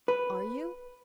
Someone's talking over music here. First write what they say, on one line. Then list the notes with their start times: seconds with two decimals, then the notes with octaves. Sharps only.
"Are you?"
0.08 B4